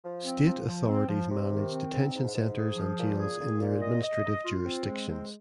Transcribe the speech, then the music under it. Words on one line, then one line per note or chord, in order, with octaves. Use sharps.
State authorities manage detention centers and jails in their administrative jurisdictions.
F3
C4
F3
F3
C4
F3
C3
D#3
C4
G#2
G#2
G#2
G#4
F3
A#2
G#4
A#2
A#2
D#5
D#5
D#5
F4
C4
G#3
C4